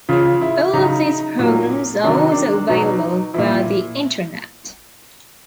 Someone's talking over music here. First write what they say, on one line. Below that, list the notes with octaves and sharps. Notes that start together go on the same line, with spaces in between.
All of these programmes are also available via the internet.
C#3 F3 F4
E4
C#3 F#3 D#4
A#2 F#3
C3 D#3 F#3 D4
D#4
D4
B2 F#3 D#4
A#2 F3 E4